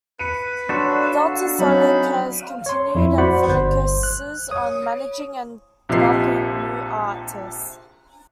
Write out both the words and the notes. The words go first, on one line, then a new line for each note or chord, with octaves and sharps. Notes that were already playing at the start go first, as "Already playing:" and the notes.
Deltasonic has continued and focuses on managing and developing new artists.
B4 C#7 D#7
D4 F#4 A4 C#5 C6 C7
D5 F5 F#5
F#3 C4 C#4 D#4 C#5 B5
C#5 C6
F2 F3 E4
F#4 C5 D5 F#5 B5
G1 C5
F#6
C#5 D#6
A#1 C3 F3 F4 D#5 C7